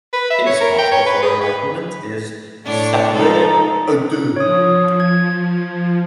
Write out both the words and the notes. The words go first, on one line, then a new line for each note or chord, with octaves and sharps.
His motto for enlightenment is Sapere aude!
B4
E5
C#5
A#4
G5
C#5
B4
G#4
B4
A2 D4 C#5
F3 G#3 D#4 A4
F3 C#5 D#6
G#6